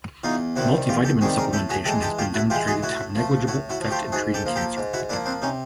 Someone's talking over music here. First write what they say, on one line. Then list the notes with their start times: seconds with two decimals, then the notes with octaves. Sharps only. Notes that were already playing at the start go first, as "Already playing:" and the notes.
"Multivitamin" supplementation has been demonstrated to have negligible effect in treating cancer.
0.24 E2 D#4 F4
0.56 C3 D#3 G3 E4 F#4
0.88 E2 F4 G4
1.04 G4 A4
1.21 C3 D#3 G3 F#4 G#4
1.38 G#4 A#4
1.53 A2 G4 A4
1.69 F#4 G#4
1.85 E3 G#3 G4 A4
2.01 G4 A4
2.19 A2 F4 G4
2.34 E4 F#4
2.50 E3 F4 G4
2.54 G#3
2.67 F#4 G#4
2.82 A2 E4 F#4
3.15 F3 A3
3.47 A2 E4 F#4
3.69 E4 F#4
3.80 F3 A3
3.90 F4 G4
4.12 G#2 F#4 G#4
4.34 G4 A4
4.46 F3 A#3
4.56 G4 A4
4.77 G#2
4.93 E4 F#4
5.09 F3 A#3 D4 E4
5.26 C4 D4
5.42 C3 C#4 D#4